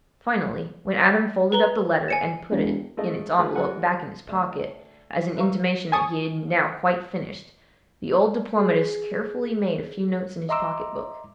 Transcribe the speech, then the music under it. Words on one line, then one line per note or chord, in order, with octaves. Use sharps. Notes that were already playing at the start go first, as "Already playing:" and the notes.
Finally, when Adam folded up the letter and put it, in its envelope, back in his pocket, as an intimation that he had now quite finished, the old diplomatist carefully made a few notes in his pocket-book.
B4 A#5 G7
G#5 C#7 E7
E1
G#3 A3 F4 A4 D#5
F3 G#3 A3 F4 B4 C5
F#2 G3 A4 F#5 G#5
D2
B4 C5 E5 F5 A#5 C#6
G#5 A5 C#6 D#6
G#4
D#5 E5 A#5 C6 D6 E6